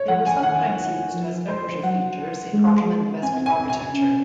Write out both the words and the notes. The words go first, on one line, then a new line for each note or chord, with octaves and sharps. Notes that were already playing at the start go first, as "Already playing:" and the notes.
They were sometimes used as decorative features in Ottoman domestic architecture.
Already playing: C#5
F3 F#5
G#5
D#3 F#5
F3
C5
F#3 F#5
G#3
C4 G#5
G#5
G#5
C#4